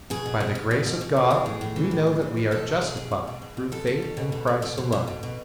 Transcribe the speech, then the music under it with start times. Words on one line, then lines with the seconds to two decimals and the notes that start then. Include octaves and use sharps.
By the grace of God we know that we are justified through faith in Christ alone.
0.10 B2 G#4
0.26 B2
0.40 B2
0.55 B2
0.71 B2
0.86 B2
1.01 B2
1.16 B2
1.30 E3 G#4
1.46 A2
1.61 A2
1.76 E3
1.91 A2
2.07 E3
2.22 E3
2.37 A2
2.51 B2 A4
2.67 B2
2.82 B2 G#4
2.97 B2
3.11 B2
3.27 B2
3.42 B2
3.57 B2
3.72 B2 A4
3.87 B2
4.02 B2
4.17 B2
4.32 B2
4.47 B2
4.62 B2
4.78 B2
4.92 B2
5.08 B2
5.23 B2